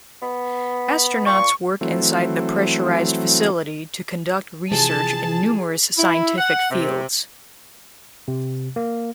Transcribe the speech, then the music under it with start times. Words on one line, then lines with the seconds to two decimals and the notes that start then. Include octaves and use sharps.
Astronauts work inside the pressurized facility to conduct research in numerous scientific fields.
0.22 B3
1.26 A#2 C#6
1.81 E3 F#3 A3 C4
4.71 C3 E3 F3 G#4 A5
5.98 E4
6.38 F#5
6.70 C3
8.28 C3
8.76 A#3